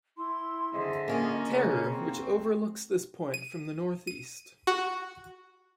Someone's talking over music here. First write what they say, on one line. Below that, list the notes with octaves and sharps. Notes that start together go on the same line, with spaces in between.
Terror which overlooks this point from the northeast.
E4 C6
D3 G#4 C5 D#5 E5
A#3 C#4 F4
C#3 F#4
C4
D#7
D#7
F#4